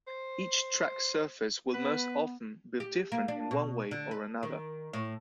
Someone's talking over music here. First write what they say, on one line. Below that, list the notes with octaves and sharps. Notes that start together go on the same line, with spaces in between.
Each track surface will most often be different in one way or another.
C5
B3 B4
G4
A#3
D4
B2
D3
B4
D#3
A2